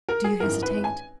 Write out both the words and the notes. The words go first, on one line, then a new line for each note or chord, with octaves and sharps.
Do you hesitate?
A#4
G#4
G#1 F#2 E3 A#4
B4
G#5